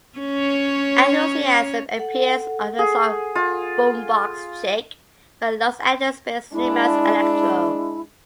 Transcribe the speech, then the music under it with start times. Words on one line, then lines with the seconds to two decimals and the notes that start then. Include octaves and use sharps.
Enthusiasm appears on the song "Boom Box Chic" by Los Angeles-based LeMans Electro.
0.19 C#4 C#5
1.97 A4 F#5
2.79 G#4
3.35 F4
6.53 G#3 D4 E4